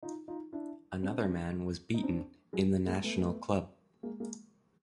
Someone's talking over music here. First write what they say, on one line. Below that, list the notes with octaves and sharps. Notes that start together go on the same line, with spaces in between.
Another man was beaten in the National Club.
D#4 F4
D#4 F4
D4 E4
C4 D4
D#4
C4 D4
F#3 G#3
G#3 A#3
A3 B3
G#3 A#3
G#3 A#3